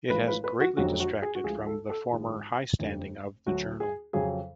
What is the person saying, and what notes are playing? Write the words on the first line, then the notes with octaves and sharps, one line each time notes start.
It has greatly detracted from the former high standing of the journal.
A1 A2 F3 G#3 B4
B4
B4
F#4
F1 F2 D3 F#3 F#4
F#4
G#4
F#4
D2 D3 F3 G#3 G#4
A4
A4
G#1 G#2 F3 G#3
F1 F2 D3
D2 D3 F#3 F#4
G#4
F2 C#3 F#3 G#4